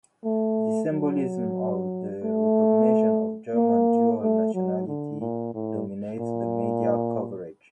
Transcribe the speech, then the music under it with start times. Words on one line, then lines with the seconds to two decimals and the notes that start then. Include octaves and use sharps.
The "symbolism of the recognition of German dual nationality" dominated the media coverage.
0.25 A3
0.91 F#3
2.24 A3
3.55 A#3
4.22 A3
4.54 F#3
4.87 D3
5.21 A#2
5.54 A2
6.20 A#2